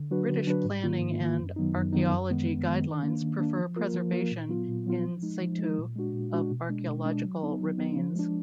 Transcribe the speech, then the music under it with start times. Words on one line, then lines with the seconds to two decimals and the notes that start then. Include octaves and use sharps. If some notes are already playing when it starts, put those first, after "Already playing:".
British planning and archaeology guidelines prefer preservation "in situ" of archaeological remains.
Already playing: D3
0.11 F#3 D4 F#4 B4
0.29 D3
0.47 F#3 D4 F#4 B4
0.65 G#2
0.83 D#3 A#3 F4
1.01 G#2
1.21 D#3 A#3 F4
1.39 F#2
1.56 D#3 F#3 B3 D#4
1.75 F#2
1.93 D#3 F#3 B3 D#4
2.11 F#2
2.30 D#3 G#3 B3
2.48 F#2
2.67 D#3 G#3 B3
2.84 D#3
3.03 A#3 D4
3.21 D#3
3.39 A#3 D4
3.58 F3
3.76 A#3 F4 A#4
3.94 F3
4.12 A#3 F4 A#4
4.32 A#2
4.49 F#3 B3 F4
4.68 A#2
4.87 F#3 B3 F4
5.04 F3
5.23 G#3 D#4
5.41 F3
5.59 G#3 D#4
5.78 A#2
5.96 G#3 D4 F#4
6.14 A#2
6.32 G#3 D4 F#4
6.51 B2
6.69 G#3 D4
6.87 B2
7.05 G#3 D4
7.24 F#3
7.43 B3 D#4
7.60 F#3
7.78 B3 D#4
7.97 F3
8.15 G#3 D4